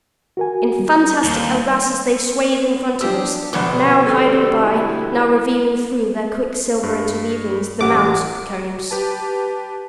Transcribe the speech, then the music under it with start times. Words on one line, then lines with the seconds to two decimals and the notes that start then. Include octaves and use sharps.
In fantastic arrases they swayed in front of us--now hiding by, now revealing through their quicksilver interweavings the mounts of the Cones.
0.37 F#4 A#4 G#5
0.80 G3
1.24 D#2
3.01 F3 D4 G4 G#4 E6
3.53 A#1 B2 D3 B3 F#5 D6
4.06 G3 A4
4.63 E4
6.83 G2
7.81 A1 F#2 G4 F#5 D6
8.91 G4 B4 A5